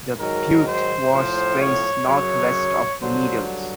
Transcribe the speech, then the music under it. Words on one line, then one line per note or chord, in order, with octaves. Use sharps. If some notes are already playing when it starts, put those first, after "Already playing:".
The Piute Wash drains northwest of Needles.
G#2 D#3 F#3 A#4
C5
A2 F3 C5
C#5
F#2 C#3 F#3 C#5
G2 D3 F#3 C5